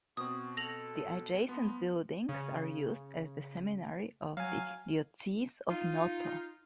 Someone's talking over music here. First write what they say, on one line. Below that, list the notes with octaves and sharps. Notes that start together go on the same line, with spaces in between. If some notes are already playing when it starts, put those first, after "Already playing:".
The adjacent buildings are used as the seminary of the Diocese of Noto.
B2 C4 F#4 D#6
A4 A#6 F7 F#7
F3 B3
C#3
F#3 F5 G#5
D#4 F4